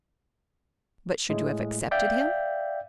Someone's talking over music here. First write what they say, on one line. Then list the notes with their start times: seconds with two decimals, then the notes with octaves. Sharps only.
"But should you have accepted him?"
1.30 A2 G#3
1.91 D5 E5 F5 G5 G6